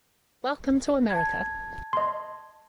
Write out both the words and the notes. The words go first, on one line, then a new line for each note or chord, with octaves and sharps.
Welcome to America.
A5 G#6
D#5 C6